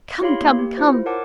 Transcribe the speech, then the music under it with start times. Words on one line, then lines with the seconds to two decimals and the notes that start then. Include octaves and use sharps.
'Come, come, come!
0.21 E4 G4 C#5 F5 B5 C6
0.41 A#3
0.59 G4
0.77 E4 F4 C5
1.06 A#4 C#5 F#5 A5 D6